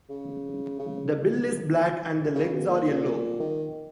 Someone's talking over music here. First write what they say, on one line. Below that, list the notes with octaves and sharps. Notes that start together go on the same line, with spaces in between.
The bill is black and the legs are yellow.
C#3
C#3
C#3
B2
A#2
D#3